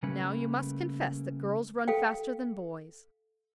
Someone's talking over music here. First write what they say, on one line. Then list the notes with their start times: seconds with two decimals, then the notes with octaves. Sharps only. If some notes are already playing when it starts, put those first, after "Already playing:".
"Now you must confess that girls run faster than boys."
0.03 C#3 G3 A3 A#3 C#4 B4
1.88 A4 F5 G5